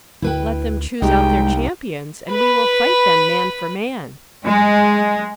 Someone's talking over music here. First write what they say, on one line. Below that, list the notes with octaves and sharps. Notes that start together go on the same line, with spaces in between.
"Let them choose out their champions, and we will fight them, man for man."
D2 E4 B4 G5
C2 G#3 D#4 G4 G5
B4 B5
G#3